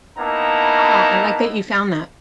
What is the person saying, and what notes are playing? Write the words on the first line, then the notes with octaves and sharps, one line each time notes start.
Oh, I like that you found that.
A#3 B3 D#4 E4 A5 A#5